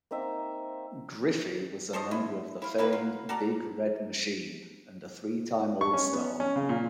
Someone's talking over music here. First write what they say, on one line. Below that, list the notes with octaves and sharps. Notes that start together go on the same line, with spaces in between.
Griffey was a member of the famed Big Red Machine, and a three-time All-Star.
A#3 C4 D#4 E5
A4 C5 C#5 D#5
D3 E4
E4 F4
A#3 E4 G4 B4
F#3 F4
F#4 A4 D5 A#5
C#6
C#4
B3
C#4
C#3
A#2